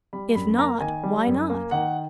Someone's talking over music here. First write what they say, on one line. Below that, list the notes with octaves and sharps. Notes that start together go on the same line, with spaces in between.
If not, why not?
G3 B5
F#2 B5
A#3 A#5
D#3 G#5
G3
F#2
A#3
D#3 F#5